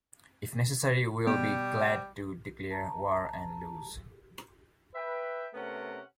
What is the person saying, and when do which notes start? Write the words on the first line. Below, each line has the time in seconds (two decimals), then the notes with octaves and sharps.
If necessary, we will be glad to declare war and lose.
1.27 B2 G3
2.71 A5 A#5
4.94 B4 E5 G5
5.54 C3 A3 B3 C#4 A#4 F#5